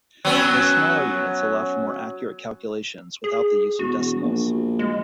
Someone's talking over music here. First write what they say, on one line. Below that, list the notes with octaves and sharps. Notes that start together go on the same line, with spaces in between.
These smaller units allow for more accurate calculations without the use of decimals.
F#3 B3 C#4
G#4
E1 F#4
A#1
G#3